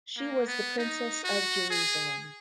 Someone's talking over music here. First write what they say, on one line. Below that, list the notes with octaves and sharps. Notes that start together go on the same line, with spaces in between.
She was the princess of Jerusalem.
A#3
B3
D#4
F#4
G#4